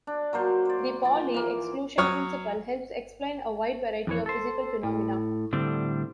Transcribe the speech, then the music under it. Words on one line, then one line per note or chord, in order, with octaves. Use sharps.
The Pauli exclusion principle helps explain a wide variety of physical phenomena.
D4
F#3 A#3 C5 C#6
C5 D5
F3 D5
E3 A#3
F#3 C#5 D#6 F6
F2 E3 C#5
A4 C5
A2
A2 D3 G3 C4 D4